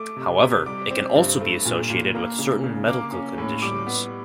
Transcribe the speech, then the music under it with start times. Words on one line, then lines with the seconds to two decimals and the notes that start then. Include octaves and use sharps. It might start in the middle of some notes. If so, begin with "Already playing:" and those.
However, it can also be associated with certain medical conditions.
Already playing: A3 D6
0.16 C3
0.41 C3
0.66 G3 D6
0.91 C4
1.16 G2
1.41 A3
1.65 A#2
1.90 A#2
2.15 A#3
2.39 C#3
2.64 C#3
2.88 A#3 D6
3.12 C#4
3.38 A2
3.62 G3 D6
3.87 B3